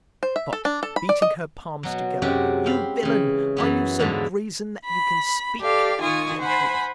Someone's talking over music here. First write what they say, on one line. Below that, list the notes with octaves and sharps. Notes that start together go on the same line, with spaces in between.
But, beating her palms together, "You villain, are you so brazen that you can speak?" she shrieked.
C5
E5
A4
D4
A4
B5
D5
D#5
B2 F#3
F#2 C3 F#3 G#3 F#4 G4
C4 F5 B5
C#3 E3
F#2 E3 B3
E2 G#2 D3 F3 E4 E5
B5
G4 A4 D5 F5
D#3 F4 G#5 C#6 D#6
C5 F#5 G#5 B5